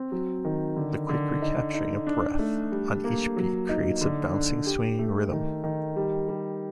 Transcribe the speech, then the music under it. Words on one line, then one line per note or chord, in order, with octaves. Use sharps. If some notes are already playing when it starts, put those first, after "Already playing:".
The quick recapturing of breath on each beat creates a bouncing, swinging rhythm.
Already playing: C4
F#3
D#3
D3
D3
D#4
D#4
D4
A3
G3
A#3
F#3
D#4
D3
D4
G4
A3
D#3
D#3
G3
G3